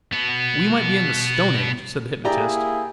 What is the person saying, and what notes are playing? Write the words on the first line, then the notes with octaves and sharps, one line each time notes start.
"We might be in the Stone Age," said the hypnotist.
B2 B3
A#3 E4 G4 G#4 D5 A#5